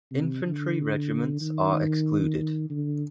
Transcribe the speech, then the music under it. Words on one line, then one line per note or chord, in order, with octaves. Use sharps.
Infantry regiments are excluded.
C3
D3
D#3
D3